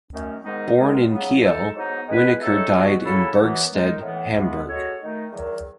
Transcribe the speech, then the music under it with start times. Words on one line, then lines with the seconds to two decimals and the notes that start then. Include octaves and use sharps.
Born in Kiel, Wenneker died in Bergstedt, Hamburg.
0.11 F#2 D#3 A3 C#4
0.44 G#2 D#3 G#3 B3 D#4
0.76 D#3 G#3 B3
1.09 C#3 F#3 B3
1.42 G#3 D#4 A4
1.75 G#2 F#3 B3 D#4
2.07 D#3 G#3 B3 E4 B4
2.40 A2 G#3 D#4 A4 C#5
2.71 B2 G#3 B3 F#4 B4
3.04 C#3 F#3 C#4 E4 A4
3.38 F#2 E3 B3
3.70 D#3 G#3 D#4
4.02 A2 E3 B3
4.35 C#3 E3 G#3 B3
4.68 G#3 B3 F#4 A4 C#5
5.00 D#3 A3 D#4
5.33 E2 D#3 F#3